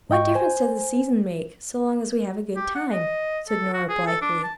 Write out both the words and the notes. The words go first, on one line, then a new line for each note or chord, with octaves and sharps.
"What difference does the season make, so long as we have a good time?" said Nora blithely.
G#2 D#5 G5 C#6
C5 G#5
G4
F#5
D#5
A4
F#4
G#4
A4
D4
A5